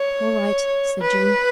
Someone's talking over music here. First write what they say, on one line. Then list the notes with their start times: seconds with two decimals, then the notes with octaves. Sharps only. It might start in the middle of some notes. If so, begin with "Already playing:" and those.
"All right," said June.
Already playing: C#5
1.01 B4